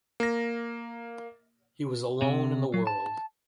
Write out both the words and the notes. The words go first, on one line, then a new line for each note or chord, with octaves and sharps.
He was alone in the world.
A#3 A#6
C3
F#3
A5